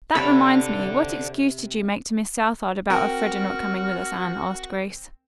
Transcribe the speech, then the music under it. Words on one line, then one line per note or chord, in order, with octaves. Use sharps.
"That reminds me, what excuse did you make to Miss Southard about Elfreda not coming with us, Anne?" asked Grace.
C3 A4 C#5 D5 B5
C4 F#4 A#4 G5 F6